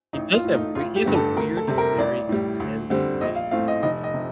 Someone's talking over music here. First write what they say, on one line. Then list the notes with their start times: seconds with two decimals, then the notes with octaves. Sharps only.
He does have we he has a weird and very intense face that is just
0.13 A1 D#4
0.34 F4
0.45 A2 A3
0.54 D#4
0.75 A1 F4
0.96 G4
1.06 G2 D3 G3
1.15 A4
1.37 D2 A#4
1.57 A4
1.68 C3 G3
1.78 A#4
1.98 A1 D5
2.29 A2 G3
2.60 D2
2.90 D3 G3 C4
3.21 A#1 D#5
3.36 F5
3.51 A2 A3 C4 F5
3.68 D#5
3.83 F1 D#5
4.04 D#5
4.14 C3